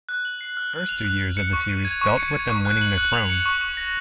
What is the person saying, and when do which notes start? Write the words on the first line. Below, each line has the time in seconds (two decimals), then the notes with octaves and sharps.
The first two years of the series dealt with them winning their thrones.
0.09 F#6
0.25 F#7
0.41 C7
0.57 F6
0.73 F#6
0.89 F7
1.05 F#6
1.21 F7
1.37 C#7
1.53 C#6
1.69 D#7
1.85 G#6
2.01 C#6
2.17 C#7
2.33 G#6
2.50 C#6
2.65 F#6
2.81 F#7
2.98 F#6
3.13 F7
3.30 C#7
3.46 C#6
3.61 C#6
3.77 A#6